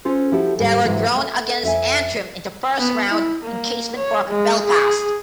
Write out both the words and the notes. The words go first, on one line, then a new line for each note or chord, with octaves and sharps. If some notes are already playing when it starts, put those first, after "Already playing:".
They were drawn against Antrim in the first round in Casement Park, Belfast.
C#4 F4 A4 C5
F3 E4 F#4 G4 A4
D#2 G#2 G3
G#2 C3 E3 F#3 G#3 A3
A3
F2 E5 G#5
B3
E4
A#3
C#5
G#3
G#4